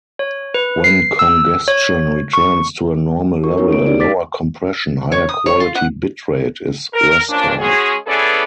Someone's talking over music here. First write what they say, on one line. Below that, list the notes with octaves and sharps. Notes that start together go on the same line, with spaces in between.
When congestion returns to a normal level, a lower-compression, higher-quality bitrate is restored.
C#5
B4
C7
E6
C#5
C#6
F#4 A#4 C#6
B3 C#4 D#4 A#4 C#5
A3 D7
D#4 G4 D5 D7
D6 A6 B6
C#5
D#6
C#5
F4
F#5
A#4
F3 A#3 C#4 D4
G#3 C#4 F#4 G#4
E3 B3 C#4 G#4 A4 D5